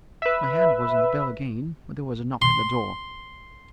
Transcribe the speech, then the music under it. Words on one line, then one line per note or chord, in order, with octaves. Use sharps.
My hand was on the bell again, when there was a knock at the door.
B4 E5
C6